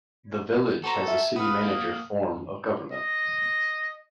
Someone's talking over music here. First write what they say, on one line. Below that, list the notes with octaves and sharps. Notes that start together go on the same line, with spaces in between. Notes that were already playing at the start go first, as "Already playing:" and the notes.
The Village has a City Manager form of government.
F#4 A4 C5 A#5
E5
B4 F5 F#5 D#6
A#3
D#5